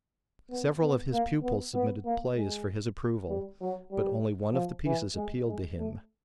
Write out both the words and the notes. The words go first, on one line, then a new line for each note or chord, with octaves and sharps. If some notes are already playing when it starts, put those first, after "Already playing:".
Several of his pupils submitted plays for his approval, but only one of the pieces appealed to him.
B3
B3
A#3
B3
B3
A#3
G#3
G3
F#3
G3
F3
E3
G#3
G#3
A3